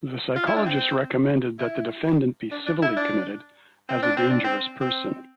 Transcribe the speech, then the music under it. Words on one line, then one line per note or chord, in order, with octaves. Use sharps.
The psychologist recommended that the defendant be civilly committed as a dangerous person.
F4
E4
D4
C4
E4
D4
D4
E4
D4
C4
D4
C4
D4
C4
C4